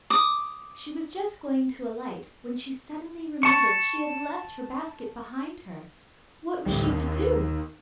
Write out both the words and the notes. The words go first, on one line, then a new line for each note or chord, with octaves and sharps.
She was just going to alight, when she suddenly remembered she had left her basket behind her. What was she to do?
D6 D#6
A5 C#6
A1 D2 G3
D#2